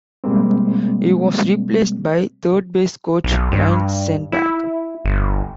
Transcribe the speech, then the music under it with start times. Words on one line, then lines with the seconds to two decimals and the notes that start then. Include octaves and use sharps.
He was replaced by third-base coach Ryne Sandberg.
0.24 B2 G3 G#3 A#3 C4
3.24 B1
3.52 G2
4.32 E4
5.05 G1